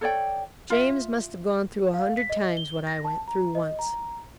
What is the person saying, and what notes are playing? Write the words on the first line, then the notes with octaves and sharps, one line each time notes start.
James must have gone through a hundred times what I went through once.
A4 C#5 D5 G5
F4 E5
F5
B6
D#5
G7
A#6
A5
A#5
D#5
A#5